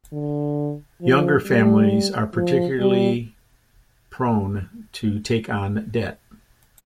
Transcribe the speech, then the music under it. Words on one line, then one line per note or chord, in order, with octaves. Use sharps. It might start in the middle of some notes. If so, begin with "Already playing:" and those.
Younger families are particularly prone to take on debt.
D3
F3
G3
F3
G3